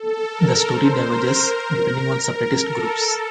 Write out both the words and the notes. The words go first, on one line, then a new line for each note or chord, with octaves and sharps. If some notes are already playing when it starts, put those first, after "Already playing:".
The story diverges depending on separatist groups.
Already playing: A4
A#4
C5
A#4
A#4
A4
A4